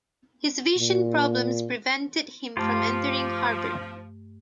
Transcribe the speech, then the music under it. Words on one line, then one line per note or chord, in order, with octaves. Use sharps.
His vision problems prevented him from entering Harvard.
A#2
G2 F3 A3 F4 G4